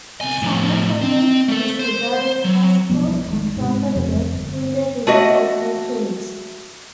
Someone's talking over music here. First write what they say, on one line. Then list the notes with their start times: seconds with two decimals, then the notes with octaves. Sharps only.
The summer climate is regarded as cool and comfortable, though the weather often changes.
0.21 C2 G#5
0.42 A2 F3
1.01 C4
1.48 A3 A4
1.79 C5
2.44 F#3
2.89 B1 F3 G3 B3
3.27 G#1 G#2
3.56 G#2 C3
3.95 F#1 F2 C3 G3
4.33 G1
5.07 A3 F#4 D#5